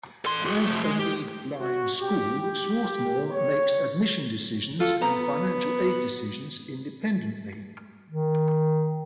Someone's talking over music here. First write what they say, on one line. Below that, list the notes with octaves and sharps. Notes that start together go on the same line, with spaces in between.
As a need-blind school, Swarthmore makes admission decisions and financial aid decisions independently.
A4 C6
F#4 G#4
F3 A3
G#3
G4
F#4
G4
G4
C#5
F4 A4
B3 A#5
D#3